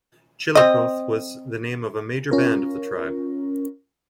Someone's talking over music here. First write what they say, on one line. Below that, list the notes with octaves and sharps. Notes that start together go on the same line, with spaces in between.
"Chillicothe" was also the name of a major band of the tribe.
C4 D#5
C#4 F4 A#4